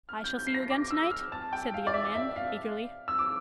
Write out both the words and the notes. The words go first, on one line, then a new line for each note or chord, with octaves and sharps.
'I shall see you again to-night?' said the young man, eagerly.
F6
G6
G6
C7
A#6
D6
E6
F6
A5
G5
F5
D5
E5
E5
F5
E6
D6